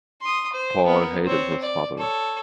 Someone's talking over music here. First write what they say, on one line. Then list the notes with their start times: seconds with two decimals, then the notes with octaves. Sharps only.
Paul hated his father.
0.21 C6 D#6
0.52 C5
0.86 B3 A#4
1.26 C4 C#5
1.62 D5
1.98 A4 C#5